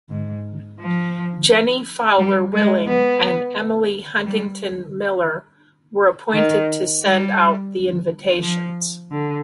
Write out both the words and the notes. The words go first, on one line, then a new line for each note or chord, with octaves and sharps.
Jennie Fowler Willing and Emily Huntington Miller were appointed to send out the invitations.
G#2
F3
G3
G#3
B3
G3
D#3
G3
F3
D3